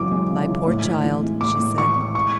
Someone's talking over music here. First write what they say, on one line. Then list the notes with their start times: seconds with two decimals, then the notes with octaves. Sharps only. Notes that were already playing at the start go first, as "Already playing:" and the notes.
"My poor child," she said.
Already playing: F#2 C#3 E3 G#3 D6
0.12 G#3
0.30 C#3
0.49 E3
0.67 A2
0.86 A2
1.04 E3
1.22 G#3
1.41 A2 D6
1.59 A2
1.78 E3 C#6
1.97 G#3
2.15 C#6